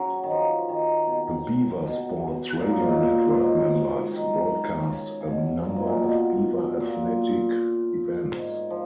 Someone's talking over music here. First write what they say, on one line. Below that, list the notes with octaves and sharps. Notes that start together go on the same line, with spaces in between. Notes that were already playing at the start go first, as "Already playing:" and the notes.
The Beaver Sports Radio Network members broadcast a number of Beaver athletic events.
Already playing: C#3 F#3
D#3
F3
D#3
B2
B2
A#2
F#2
G#2
A#2
F#2
G#2
D#3
C#3
C#3
B2
A#2
G#2
A#2
B2
A#2
G#2
F3